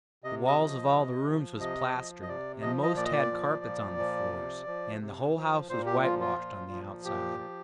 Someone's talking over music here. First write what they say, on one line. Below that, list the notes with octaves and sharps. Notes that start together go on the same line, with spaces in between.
The walls of all the rooms was plastered, and most had carpets on the floors, and the whole house was whitewashed on the outside.
C3 D#5
D#5
F3
C3
F3
C3 D#5
F3
D#5
C3 D5
F3 D#5
D#5
A#2 D5
D#5
D5
F3
A#2
F3
C3
F3
C3
F3
A#2 C5
G4
F3 F4
F4
A#2
F3
A#2 G4
F3